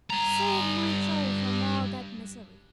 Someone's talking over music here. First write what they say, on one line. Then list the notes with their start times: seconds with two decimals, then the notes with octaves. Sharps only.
Save my child from all that misery!
0.10 G2 A#5